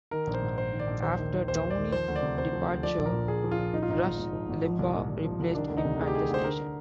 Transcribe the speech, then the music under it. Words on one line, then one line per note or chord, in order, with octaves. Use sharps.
After Downey's departure, Rush Limbaugh replaced him at the station.
D#3 A#4
A#1
C5
G#2
A#1 C5
D#3
D5
A#1
D#2 C5
D#3
D#3
D#2 C5
D#2
D5
D#3
F3 C5
D2
D5
C3
D2 C5
F3
D2
F3 D5
A#1
A#4
A#2
A#1 G#4
F3
F4
A#1
F3 D#4
F4
G#1 D#4
G#2
G#1
F3
G#1
F3
C2
A#2
C2
F3
C2
D#3 D4
D2
D#4
C3
D2 G#4
G4
D#3 G#4
D2 C5
D3 A#4